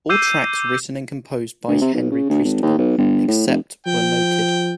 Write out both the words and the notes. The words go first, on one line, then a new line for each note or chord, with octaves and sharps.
All tracks written and composed by Henry Priestman except where noted.
D6 E6 G6 C7 D#7
D2
C3
B1
C#3
D2
G#1
D#2
B1
G1
A2
F1
F3 G5